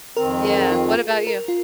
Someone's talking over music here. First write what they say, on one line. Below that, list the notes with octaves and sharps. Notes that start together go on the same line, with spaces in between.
Yeah, what about you?
F2 D#3 C4 A#4
G#4
F4
A#4
F4